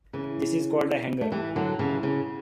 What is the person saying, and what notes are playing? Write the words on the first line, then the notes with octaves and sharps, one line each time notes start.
This is called a hanger.
C#3 E3
A3
E3 G3
D3 F#3
C#3 E3
C#3